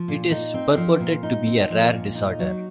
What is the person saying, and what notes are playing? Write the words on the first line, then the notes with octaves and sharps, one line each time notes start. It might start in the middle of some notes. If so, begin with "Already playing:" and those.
It is purported to be a rare disorder.
Already playing: F3
A#2
D#4
C4
F3
A#2
D#4
C4
F3
A#2
D#4
F#3